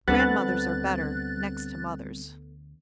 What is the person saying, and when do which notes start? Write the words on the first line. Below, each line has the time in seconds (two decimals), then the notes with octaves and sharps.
Grandmothers are better, next to mothers.
0.08 D2 D3 G3 B3 C4 F#6 A6